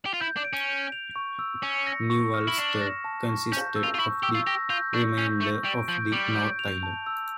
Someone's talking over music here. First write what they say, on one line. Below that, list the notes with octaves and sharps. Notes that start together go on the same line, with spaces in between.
New Ulster consisted of the remainder of the North Island.
G4
F4
E4 G6
D4
D7
C#4
G6
F7
C#6
E6
C#4 C#7
A#6
C#6
F6
E4
D4 E7
A#6
A5
C#6
C#4 G6
E6
F4
F4
E4 C#6
G4 E6
F4
G4 A#6
F4 G6
D4 C#6
C#4 G6
A3 C#6
G3 D7
F3 G6
G3 D7
G6
F7
A5
E6